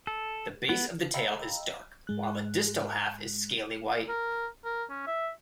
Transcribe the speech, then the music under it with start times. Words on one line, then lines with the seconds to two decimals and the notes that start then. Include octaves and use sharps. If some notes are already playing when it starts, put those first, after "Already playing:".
The base of the tail is dark while the distal half is scaly white.
0.07 A4
0.69 B3
1.14 D#5 F5 G5 A#5 B5 E6
2.07 G#2 G#3 F#6
4.09 A#4
4.65 A#4
4.90 C#4
5.07 E5